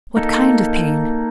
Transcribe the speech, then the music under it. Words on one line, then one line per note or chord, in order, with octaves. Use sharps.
What kind of pain?
A#3 D#4 A4